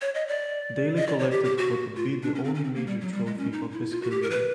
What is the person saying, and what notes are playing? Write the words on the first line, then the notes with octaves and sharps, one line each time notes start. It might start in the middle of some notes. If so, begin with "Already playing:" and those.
Daley collected what would be the only major trophy of his career.
C#5
D#5
D5
D#5
D5
C#5
G4
G4
F#4
F4
D4
C#4
C4
C#4
C4
A#3
G3
F#3
G3
G#3
C#4
D#4
E4
F4
F#4
G4
A#4
B4